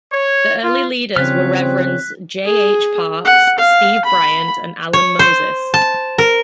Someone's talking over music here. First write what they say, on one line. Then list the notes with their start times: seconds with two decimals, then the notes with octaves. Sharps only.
The early leaders were Reverends J. H. Parks, Steve Bryant and Allen Moses.
0.12 C#5
0.63 F4
1.16 C#3 F3 G3 C4 C#5 F6 F#6 B6
2.45 G#4
3.25 F#5
3.58 F5
4.05 B5
4.93 C#5
5.19 C5
5.74 A5
6.18 A#4